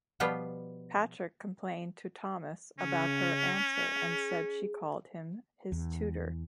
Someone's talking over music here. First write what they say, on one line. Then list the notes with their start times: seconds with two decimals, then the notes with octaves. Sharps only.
Patrick complained to Thomas about her answer and said she called him "his tutor".
0.20 B2 F3 G3 B3 F4 G5
2.79 C#3 C#4
3.92 G#4
5.72 E2